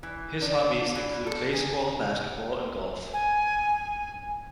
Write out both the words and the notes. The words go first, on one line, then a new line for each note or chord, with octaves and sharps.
His hobbies include baseball, basketball and golf.
E3
D4
E3
A4
G#4
G#5